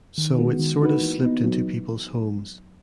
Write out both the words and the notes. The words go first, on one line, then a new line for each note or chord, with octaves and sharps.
So it sort of slipped into people’s homes.
D#3
G#3 B3 F#4
D#3
A#3 D#4 F#4 B4
E3
B3 D#4
F#3